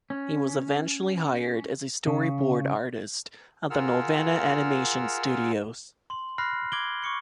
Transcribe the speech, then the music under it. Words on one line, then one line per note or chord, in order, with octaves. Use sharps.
He was eventually hired as a storyboard artist at the Nelvana Animation Studios.
C#4
C#3
F4 G#4 A#4 F#5 E6 F6
C6 F#7
B5 F6 F#6 A#6 C7
D6 G#6 D7 F#7 G7
C#6 D6 C#7 G7